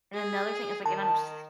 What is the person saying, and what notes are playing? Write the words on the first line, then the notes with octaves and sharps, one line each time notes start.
And another thing is, like and I'm s
G#4
D#3 A5